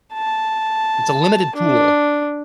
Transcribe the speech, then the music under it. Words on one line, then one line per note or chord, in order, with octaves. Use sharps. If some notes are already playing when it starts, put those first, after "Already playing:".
It's a limited pool.
A5
D4